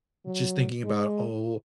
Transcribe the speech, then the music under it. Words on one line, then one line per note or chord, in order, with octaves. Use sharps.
just thinking about, oh,
F#3
G#3